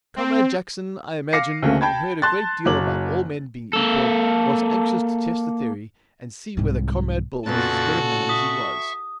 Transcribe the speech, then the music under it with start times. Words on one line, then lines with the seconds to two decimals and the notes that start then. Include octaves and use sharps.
'Comrade Jackson, I imagine, having heard a great deal about all men being equal, was anxious to test the theory, and see whether Comrade Bill was as good a man as he was.
0.16 C4
1.33 F5 D6 A#6 C7 C#7
1.62 D2 C#3 A3 A#3
1.81 G5 A5 B5 G#6
2.22 A5 C6 F#6 A6
2.65 F#1 F#3 C#5 D6 F#7
3.73 A#3 A4
6.57 C2 G#2
7.46 F2 A#2 C#3 B3 F#4 A4 F#6 A6
8.29 E5 C#6 D#6